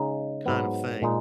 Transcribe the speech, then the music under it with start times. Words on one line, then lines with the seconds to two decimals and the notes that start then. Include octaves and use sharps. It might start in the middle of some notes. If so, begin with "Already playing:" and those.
kind of thing,
Already playing: C#3 G#3 D#4
0.46 G#2 F#3 B3
1.02 A#2 G#3 D#4